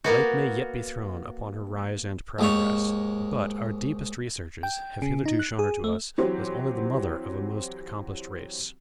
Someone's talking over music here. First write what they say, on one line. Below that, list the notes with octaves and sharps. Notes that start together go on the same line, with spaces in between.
Light may yet be thrown upon her rise and progress, but our deepest researches have hitherto shown her to us as only the mother of a most accomplished race.
A#3 B3 F#4
D#2 G#2 C#5
G5
C#3
D#4
F#6
G#4
A3
E3 F#3 C4 G4